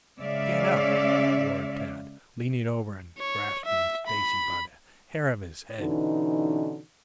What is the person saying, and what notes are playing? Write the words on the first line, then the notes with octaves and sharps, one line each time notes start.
"Get up!" roared Tad, leaning over and grasping Stacy by the hair of his head.
C#3 G#3 C#5 D5 E5 F5
C#5
E5
B5
B2 D3 E3 C#4 D#4